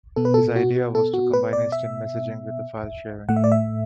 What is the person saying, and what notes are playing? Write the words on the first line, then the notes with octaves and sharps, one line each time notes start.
His idea was to combine instant messaging with file sharing.
B2 B3 A4
B4
A4
F#4
A4
F#4
B4
D5
E5
A2 A3 F#5
E5
D5
E5